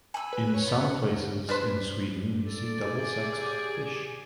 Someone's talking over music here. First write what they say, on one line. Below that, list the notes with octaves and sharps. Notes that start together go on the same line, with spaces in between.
In some places in Sweden we see double-sexed fish.
G#5 B5 E6
B4
C#5
B3 B4
F#5
D4 B4 C5
A4 D5
G4 G#4